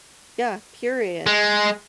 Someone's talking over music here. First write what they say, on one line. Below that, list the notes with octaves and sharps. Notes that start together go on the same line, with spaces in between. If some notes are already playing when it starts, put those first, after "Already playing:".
Yeah, period.
G#3